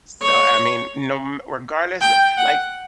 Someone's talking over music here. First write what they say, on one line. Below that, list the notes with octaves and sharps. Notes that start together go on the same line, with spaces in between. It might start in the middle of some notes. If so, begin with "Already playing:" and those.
So, I mean, you kno m regardless, like,
C#5
G5
F#5